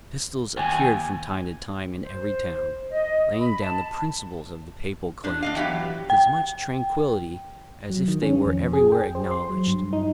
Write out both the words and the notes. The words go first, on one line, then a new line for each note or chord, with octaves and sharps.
Epistles appeared from time to time in every town, laying down the principles of the papal claims with as much tranquillity as if they were everywhere acknowledged.
D#2 G#5
C5
D#5
B5
A5
A#2 D4
D4 D#5 F5
E3 F#3 B3 G4
G5
F#3
D#3
C#4
F2
G#4
G5
C5
C6
F#3
G2
D#4